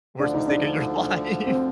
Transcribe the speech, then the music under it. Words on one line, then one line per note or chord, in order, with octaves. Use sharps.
Worst mistake of your life.
D2 D3 F3 D4
D#4
D4
C4